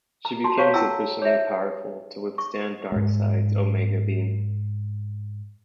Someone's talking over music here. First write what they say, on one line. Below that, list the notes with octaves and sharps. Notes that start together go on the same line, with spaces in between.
She became sufficiently powerful to withstand Darkseid's Omega Beams.
A#5
F#4 A5 C6
C5 C#5 F5 C#6
E4 F#5 G5 A5 A#5 E6
C#5 E5
C#6
G#2 G#3